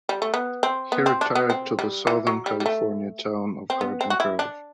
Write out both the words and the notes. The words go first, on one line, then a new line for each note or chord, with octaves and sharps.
He retired to the Southern California town of Garden Grove.
G3
A3
B3
C4
B3
C4
D4
B3
C4
G3
E3
F#3
G3
G3
A3
C4
B3
C4
F#4
E4
D4